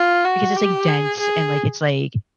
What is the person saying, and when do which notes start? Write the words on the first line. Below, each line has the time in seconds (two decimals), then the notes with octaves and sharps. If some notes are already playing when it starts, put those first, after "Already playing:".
Because it's, like, dense and, like it's, like,
Already playing: F4
0.24 F#4
0.56 G4
0.88 G#4
1.19 G#4